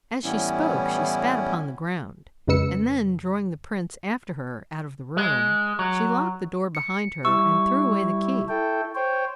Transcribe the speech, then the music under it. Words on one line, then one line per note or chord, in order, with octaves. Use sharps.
As she spoke she spat upon the ground, and then drawing the prince after her out of the room, she locked the door behind her and threw away the key.
A2 E3 G3 B3 C#4 E4
F2 C#3 G#3 B4 E6 C#7
G#3
F#3
C#7
G3 E4 C#6 E6
E4 A4 G5
C5 C#5 G5